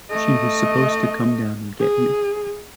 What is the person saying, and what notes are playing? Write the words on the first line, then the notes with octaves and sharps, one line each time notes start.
She was supposed to come down and get you.
A3 D#5
G#4